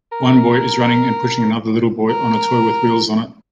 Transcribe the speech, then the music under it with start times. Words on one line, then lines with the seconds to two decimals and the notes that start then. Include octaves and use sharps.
One boy is running and pushing another little boy on a toy with wheels on it.
0.12 A#4
2.09 A#4